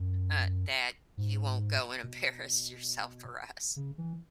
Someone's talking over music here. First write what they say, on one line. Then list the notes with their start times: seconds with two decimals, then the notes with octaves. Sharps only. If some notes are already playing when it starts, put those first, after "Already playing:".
uh, that you won't go and embarrass yourself for us
Already playing: F#2
1.17 G#2
2.04 B2
3.76 C#3
3.98 E3